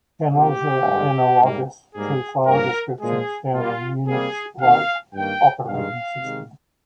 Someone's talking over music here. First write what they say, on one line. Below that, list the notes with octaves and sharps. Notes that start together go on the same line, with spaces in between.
Channels are analogous to "file descriptors" found in Unix-like operating systems.
C3 F3 A#3 G4
G2 D3 G#3
G#2 G3 A#3
G#2 G3 A#3 G#4
G2 F3 A#3 A#4
A#2 F3 G#3 G#4
A#2 G3 A#3 F4
C3 G3 A#3 G#4
C3 D#3 A#3 F5
G2 D#3 A#3 G5
G2 D#3 G#3 F5
C3 D#3 G#3